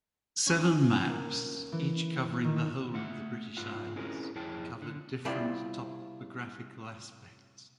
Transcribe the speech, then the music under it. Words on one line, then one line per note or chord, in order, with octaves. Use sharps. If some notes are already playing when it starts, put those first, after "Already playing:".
Seven maps, each covering the whole of the British Isles, covered different topographical aspects.
C#4
A#3
E3
D#3
A3 E5 F#5
G#2 F4 F#5
C4 C#4 E4 G#4 A#4
F2 E4 G#4 C#5 G5 A5
D3
C3 G3 C4 E4 F4 D5